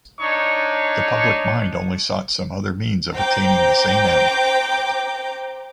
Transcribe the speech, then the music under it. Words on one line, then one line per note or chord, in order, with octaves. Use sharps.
The public mind only sought some other means of attaining the same end.
D4 D#4 C#5 C#6
C5 G5 A#5 D6 G6